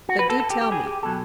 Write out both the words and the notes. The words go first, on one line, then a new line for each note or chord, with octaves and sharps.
But do tell me.
F#4
B4
A4
A4
G4
G4
G#4
G4
B2 F#3 A4